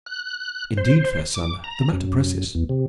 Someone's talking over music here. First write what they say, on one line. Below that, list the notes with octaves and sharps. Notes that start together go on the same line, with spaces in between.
"Indeed, fair son, the matter presses."
F#6
C5
D6
A#5
F#2
E2
C3